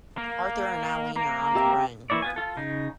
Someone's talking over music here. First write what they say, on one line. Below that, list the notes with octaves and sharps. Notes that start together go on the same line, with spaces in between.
Arthur and Eileen are on the run.
A#3
A#3 A#5
C4 G4 E5
E3 A#3 E4 C#5 D5
B3 F4 G#5
F4 A4
C#3 D#4